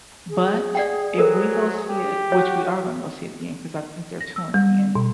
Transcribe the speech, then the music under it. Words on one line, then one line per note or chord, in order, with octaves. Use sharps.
but if we go see it, which we are gonna go see it again 'cause I think they're touring again,
G#4
D5 F#5 G5
F#3 A4 A#4 C5
G4
F#4 C#5
A#6
E6
G3
B2